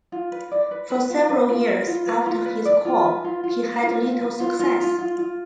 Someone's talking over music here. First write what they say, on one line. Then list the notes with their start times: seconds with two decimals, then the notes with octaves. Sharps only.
For several years after his call he had little success.
0.12 F4
0.32 B4
0.52 D5
0.71 B4
0.90 B4
1.10 F4
1.29 B4
1.49 F4
1.68 B4
1.87 F4
2.07 B4
2.26 F4
2.45 B4
2.65 D5
2.85 F4
3.05 B4
3.24 F4
3.44 F4
3.63 B4
3.82 F4
4.01 F4
4.21 B4
4.40 F4
4.59 F4
4.80 F4
4.98 F4
5.18 F4